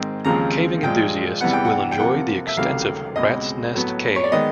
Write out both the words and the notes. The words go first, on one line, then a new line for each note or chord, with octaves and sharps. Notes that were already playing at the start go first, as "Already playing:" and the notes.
Caving enthusiasts will enjoy the extensive Rat's Nest Cave.
Already playing: G#2 D#3 G#3 C4
D#2 C#3 F3 G#3 C4 A#5
A#2 F3 G#3 G5
E2 C3 E3 G3 B3 F#5
G5
F#5
G5
F2 C3 F3 A#3 F#5
E5
C#2 C3 D#3 F#3 A3 F5
C#2 B2 G#3 C4 D#5
A2 F#3 B3
C#5
D5
D#3 G#3 B3 D#5